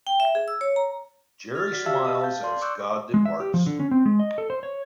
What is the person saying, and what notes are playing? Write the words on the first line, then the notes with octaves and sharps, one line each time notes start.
Jerry smiles as God departs.
G5
E5
G#4
E6
C#5
A#5
F6 G#6 A6
F#4 D5 B6
G4 E5 F5 A5 E6
F5 A5 G6
D5 C6
C#6 D6 E6 F#6 G6
G#3
E5
G4
F3
D3
C#4
C4
G#3
D#5
A4
C5
C#5